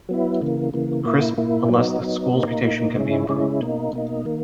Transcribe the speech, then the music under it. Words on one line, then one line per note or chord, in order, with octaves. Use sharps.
Crisp, unless the school's reputation can be improved.
F#3 B3 E4
C#3 E3 A#3
C#3 E3 A#3
A#2 A#3 E4
A#2 A#3 E4
F#3 B3 D#4
F#3 B3 D#4
A#2 A#3 D#4
A#2 A#3 D#4
C#3 G#3 C#4 E4
C#3 G#3 C#4 E4
B2 A#3 D#4
B2 A#3 D#4
D#3 A#3